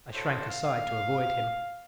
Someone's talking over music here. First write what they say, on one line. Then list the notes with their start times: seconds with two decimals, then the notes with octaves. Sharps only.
I shrank aside to avoid him.
0.13 D4 E4 F#4 A4 C5 C#5
0.49 F5